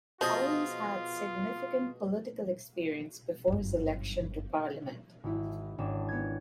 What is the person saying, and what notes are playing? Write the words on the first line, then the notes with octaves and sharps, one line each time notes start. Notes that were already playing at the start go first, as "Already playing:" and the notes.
Collins had significant political experience before his election to Parliament.
B2 F3 F4 G#4 D#5
G1 F#2
G#1 E4
G#1 C#4 D4 E7
B3 G#6